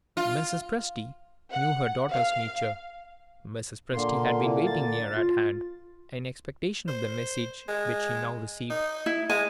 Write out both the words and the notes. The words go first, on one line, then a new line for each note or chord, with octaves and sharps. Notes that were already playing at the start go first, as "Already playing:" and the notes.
Mrs. Presty knew her daughter's nature; Mrs. Presty had been waiting near at hand, in expectation of the message which she now received.
F4
F#5
F5
A#2 D3 A#3 C6
E4
A6
F4
C5
G#3
D#4
E4
G#3 G#5